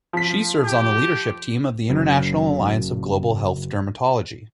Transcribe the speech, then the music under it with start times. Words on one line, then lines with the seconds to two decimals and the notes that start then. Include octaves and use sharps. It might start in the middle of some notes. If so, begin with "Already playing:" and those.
She serves on the leadership team of the International Alliance of Global Health Dermatology.
0.13 F3 B6
0.64 G4
1.90 F#1 C#3 F#3